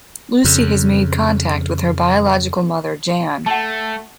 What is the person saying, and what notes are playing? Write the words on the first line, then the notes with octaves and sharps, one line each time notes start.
Lucy has made contact with her biological mother Jan.
F2 C#3
A3 F#5 A5